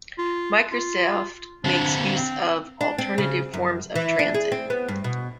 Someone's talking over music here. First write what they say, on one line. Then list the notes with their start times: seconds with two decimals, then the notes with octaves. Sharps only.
Microsoft makes use of alternative forms of transit.
0.18 F4
0.72 F4
1.64 D3 C4 D4
2.17 C4
2.81 D4
2.98 C4
3.18 C#3
3.54 F#2
3.95 E3
4.19 D4
4.34 G#4
4.52 C4
4.70 B3
4.88 G2
5.04 B2